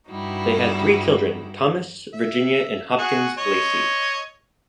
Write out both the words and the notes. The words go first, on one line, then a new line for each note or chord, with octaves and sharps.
They had three children: Thomas, Virginia, and Hopkins Lacey.
G2 G3 D#4 E4 F#4
E5
F#4 G#4 F#5
C#5 D#5